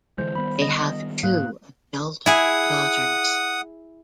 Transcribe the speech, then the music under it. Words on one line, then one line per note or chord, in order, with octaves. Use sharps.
They have two adult daughters.
D3 E3 G#3 C5
D#3 G3 B3 B5
D#5
G#2 A#3 F#6
E4 G#4 F#5 D#6